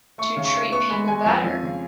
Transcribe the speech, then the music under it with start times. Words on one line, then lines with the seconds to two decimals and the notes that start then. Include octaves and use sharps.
to treat people better,
0.18 A3 C#6
0.36 C#3
0.45 C#6
0.54 A3
0.72 B3 C#6
0.90 G#3 B5
1.08 G#3 G#5
1.26 F2 G#5
1.44 F2
1.63 C#3